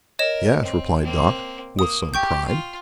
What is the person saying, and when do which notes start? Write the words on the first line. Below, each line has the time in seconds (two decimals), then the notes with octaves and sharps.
"Yes," replied Dot, with some pride.
0.19 A#4 C#5 D#5 E7
0.63 C4
1.03 A#3 C4
1.79 A#3 D#6
2.14 G4 G5 C#6 G6
2.47 F4